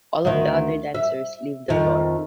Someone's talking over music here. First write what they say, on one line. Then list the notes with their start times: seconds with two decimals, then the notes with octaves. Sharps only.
All of the other dancers leave the floor.
0.25 D2 D#3
0.94 E5
1.69 F2 D#3